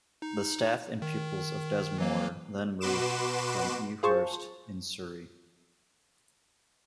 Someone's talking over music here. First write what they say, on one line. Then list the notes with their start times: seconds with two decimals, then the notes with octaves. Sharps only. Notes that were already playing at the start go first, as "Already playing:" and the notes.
The staff and pupils of Desmoor then moved from Ewhurst in Surrey.
0.22 D#4
1.02 D#3
1.98 E3 F#3 A#3
2.81 B2 F#4 B4 C6 D6 E7
4.03 F4 G#4 C5 A5 C#6